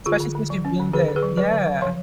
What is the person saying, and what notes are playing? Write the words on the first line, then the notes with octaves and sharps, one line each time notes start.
especially since you've been the yeah.
D3 F4 G#4
D3
D3
F#3
C#4
D3
D3 G#4 B4
D3
G#4 B4
F#3
F#3 B4 D5
D3
F#3
F3 C#5 F5